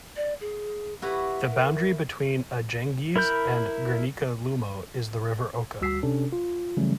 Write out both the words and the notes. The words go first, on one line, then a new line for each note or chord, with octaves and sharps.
The boundary between Ajangiz and Gernika-Lumo is the River Oka.
D5
G#4
E4 F#4 G4 B4
A#4
E4 A#4 B5 G6
D2 G3 F#4 E6 B6 C7
C3 C#4 D4 A4
F4
C#3 E3 F#3 G3 A3 C#4